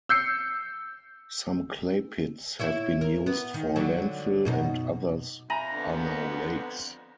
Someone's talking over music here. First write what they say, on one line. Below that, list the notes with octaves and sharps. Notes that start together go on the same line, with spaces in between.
Some clay pits have been used for landfill and others are now lakes.
E6 G6 C7 C#7
E4 C#5 E5
A#4
B3
D#3
D3 F#3
F#2 B2 D#4
F2 E5 G#5 A#5 B5
D3 B3